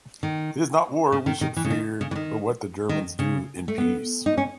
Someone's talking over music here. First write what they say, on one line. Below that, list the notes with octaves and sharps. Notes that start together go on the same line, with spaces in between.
It's not war we should fear, but what the Germans do in peace.
D#3
C#3
D#3
D#3
E3
C#3
D#3
C#3
E3
D#3
D#3
C#3
A3
B3
D#4
C#4